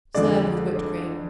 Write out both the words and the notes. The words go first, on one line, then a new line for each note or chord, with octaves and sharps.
Serve with whipped cream.
F2 D3 G#3 D5